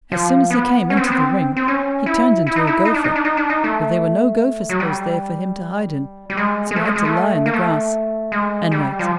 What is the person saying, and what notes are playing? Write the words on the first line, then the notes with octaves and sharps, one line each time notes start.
As soon as he came into the ring he turned into a gopher; but there were no gophers' holes there for him to hide in, so he had to lie in the grass and wait.
F3
B3
C#4
C4
B3
C4
C4
C#4
E4
E4
D#4
E4
D#4
D4
D#4
D4
D#4
D4
D#4
A3
F#3
G3
G3
G#3
G#3
A3
G#3
G#3
A3
A#3
A3
G#3
G3
F3